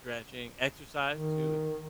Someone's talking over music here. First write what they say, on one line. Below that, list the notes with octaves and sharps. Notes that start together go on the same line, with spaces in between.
Stretching, exercise too, if
D#3